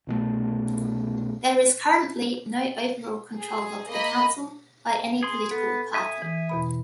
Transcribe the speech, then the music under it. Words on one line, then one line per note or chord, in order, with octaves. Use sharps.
There is currently no overall control of the council by any political party.
C2 B2 E3 A3
G#4
A#3 D#5 B5
G#4 C6
B3 A4
E5 G#5 D#6
E3
E2 B2 B5